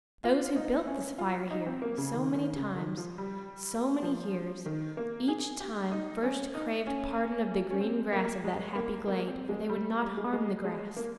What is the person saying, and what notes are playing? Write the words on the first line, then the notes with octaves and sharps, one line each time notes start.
Those who built this fire here, so many times, so many years, each time first craved pardon of the green grass of that happy glade, for they would not harm the grass.
F4
D#4
C#4
F4
D#4
C4
A#3
C#3
D#3
D#3
C#3
D#3
F3
G3
F3
D#3
A#3
G#4
G4
D#4
C#4
D#4
C#4
C#4
C4
A#3
G#3
A#3
A#3
C4
G#3
G3
G3
G#3
G#3
G#3
A#3